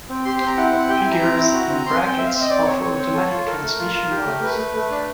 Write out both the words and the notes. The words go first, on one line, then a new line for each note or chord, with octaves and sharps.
Figures in brackets are for automatic transmission models.
C4
G4 C6
C6
C4
A#5
E4 F#5
C4
G4 G5
G#5
E4
A#5
C4
E4
F#4
C4
C4 C6
G#5
C4
G5
C4 E5
F5
C4 E5
D#5
C4 D5
C4 C#5
C4 C#5
C4
A4
F4
A4 A#4
A3
F4
F4
G4
A3
A3 B4
A3
A3
D4